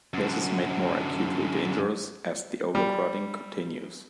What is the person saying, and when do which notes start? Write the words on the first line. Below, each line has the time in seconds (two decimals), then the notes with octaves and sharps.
This is made more acutely dangerous as the overcrowding continues.
0.14 F#2 D3
2.75 G3